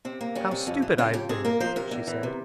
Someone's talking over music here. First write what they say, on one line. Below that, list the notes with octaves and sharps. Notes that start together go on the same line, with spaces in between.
"How stupid I have been," she said.
C3 C4
A#3
G3 C#4
C3
F2
E3
C#3 F4
F2 G4
C3 G#4
A#3 A#4
F3 C5
C3 A#4
E2
E3
C3